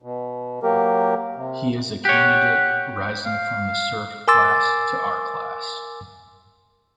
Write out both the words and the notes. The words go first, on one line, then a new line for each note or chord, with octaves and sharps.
He is a candidate, rising from the serf class to our class.
B2
F#3 A#3 G4 A#4
C3
G4 C#5 F#5
F5
A#4 G#5 C6 D6 E6 A6